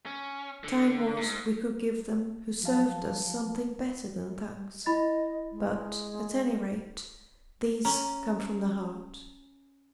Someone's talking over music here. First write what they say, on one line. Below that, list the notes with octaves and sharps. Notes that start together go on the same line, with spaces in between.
'Time was we could give them who served us something better than thanks; but, at any rate, these come from the heart.'
C#4
D3
G#2
F3 F#3 F5 A5
E4 D#5 B5 A6
G#3
C#4 A#5